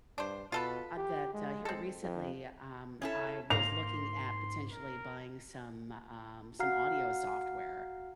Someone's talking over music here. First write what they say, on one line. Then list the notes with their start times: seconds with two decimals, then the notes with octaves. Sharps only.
a that, uh, here recently, um, I was looking at potentially buying some, um, some audio software,
0.18 G2 D4 C5
0.52 B2 F4 A4 B4
0.97 G4
1.34 G#3
1.65 C4 A4
2.02 F2
3.02 C#4 E4 A4
3.50 G#2 A#3 C6 F7
4.70 A#4
6.59 F#4 F5 F#5 A#5 F6 C7